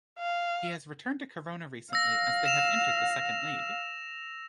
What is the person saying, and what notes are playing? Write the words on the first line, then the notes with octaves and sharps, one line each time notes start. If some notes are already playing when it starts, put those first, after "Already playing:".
He has returned to Korona recently as they have entered the second league.
F5
F5 E6 A#6
E7 F7